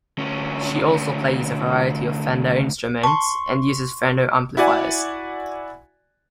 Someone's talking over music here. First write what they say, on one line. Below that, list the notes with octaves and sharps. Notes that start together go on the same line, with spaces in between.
She also plays a variety of Fender instruments, and uses Fender amplifiers.
D2 C#4
A5 C6 C#6
E4 F#4 D5 G#5